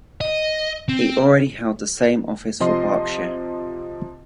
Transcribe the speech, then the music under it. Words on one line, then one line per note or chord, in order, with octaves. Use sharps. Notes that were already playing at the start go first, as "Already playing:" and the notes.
He already held the same office for Berkshire.
D#5
C4
C3 F3 D#5 C6